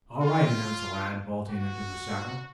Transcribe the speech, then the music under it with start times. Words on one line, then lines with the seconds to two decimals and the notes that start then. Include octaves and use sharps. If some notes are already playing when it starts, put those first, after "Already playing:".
"All right," announced the lad, vaulting into the saddle.
0.22 F4
1.50 F#4